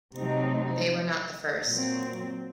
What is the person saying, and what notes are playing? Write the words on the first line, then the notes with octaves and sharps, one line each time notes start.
They were not the first.
C3 F#3 A3 C4 D#4
A#2 F#3 C4